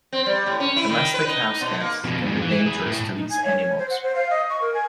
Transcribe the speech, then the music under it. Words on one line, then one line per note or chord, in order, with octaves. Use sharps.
Domestic house cats can be dangerous to these animals.
C4
G3
A2
C#4
E4
D#3
B4
D#4
B2
A#3
F2 B2
F2 G#2
E3
G#4 B4
A2
D#4
G#5
C#5
C#5
C5
F#5
C5
F5
D#5
C#6
A#4
G#5